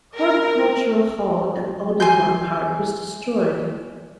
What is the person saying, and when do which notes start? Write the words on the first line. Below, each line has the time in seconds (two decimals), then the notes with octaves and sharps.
Horticultural Hall in Audubon Park was destroyed.
0.15 A#4
2.00 G#5 C6 G6